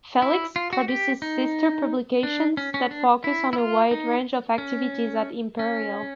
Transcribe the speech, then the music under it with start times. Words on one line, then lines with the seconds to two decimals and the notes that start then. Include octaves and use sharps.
"Felix" produces sister publications that focus on a wide range of activities at Imperial.
0.22 E4
0.56 F4
0.73 F#4
0.88 G4
1.22 D#4
2.23 D4
2.57 C#4
2.74 C#4
2.91 D4
3.24 E4
3.53 E4
3.58 F4
3.91 D#4
4.58 C#4
5.59 C#4